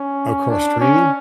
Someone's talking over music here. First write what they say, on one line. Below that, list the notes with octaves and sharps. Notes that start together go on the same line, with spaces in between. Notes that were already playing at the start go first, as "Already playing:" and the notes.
Oh, cross-training?
Already playing: C#4
D4
C#4